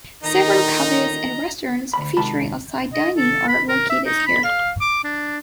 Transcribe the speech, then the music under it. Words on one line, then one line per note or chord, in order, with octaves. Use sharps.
Several cafes and restaurants featuring outside dining are located here.
A#2 D3 D#3 D#4 D#5 A#5
D2 B5
C3 D#3 G#3 A5 B5
D#5
A4
B5
A#4
E5
D#4
B5
F5
D6
D4